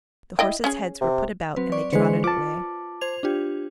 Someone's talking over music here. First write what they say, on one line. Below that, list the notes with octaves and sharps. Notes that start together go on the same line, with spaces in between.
The horses' heads were put about, and they trotted away.
E4 D#5 G5
C#4 G#4
C3
F#3 C4 B4
D5 C#6
D3 E3 G#3 B4 C5 C#7
F4 A5 D6
C5 G#6 F7
D4 F4 G4